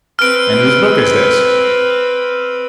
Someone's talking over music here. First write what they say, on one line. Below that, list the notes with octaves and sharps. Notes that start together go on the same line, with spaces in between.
"And whose book is this?"
C4 B4 F6 D7